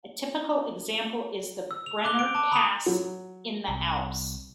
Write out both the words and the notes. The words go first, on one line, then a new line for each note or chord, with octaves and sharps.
A typical example is the Brenner pass in the Alps.
E6
F7
D6 F#6 G7
D7
A5 D6
A#5 B5 D#6 F7
F#3
C2